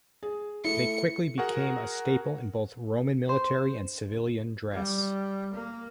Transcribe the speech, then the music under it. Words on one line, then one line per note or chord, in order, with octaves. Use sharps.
They quickly became a staple in both Roman military and civilian dress.
G#4
A3 E4 C#7
F#4 G#4 A#4 F#5
C5
G3
A#3